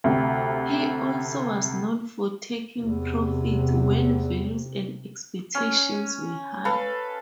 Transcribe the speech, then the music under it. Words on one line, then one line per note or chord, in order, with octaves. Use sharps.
He also was known for taking profits when values and expectations were high.
D2 C3
E2 C3
C#4 C#5
A4 B4 F5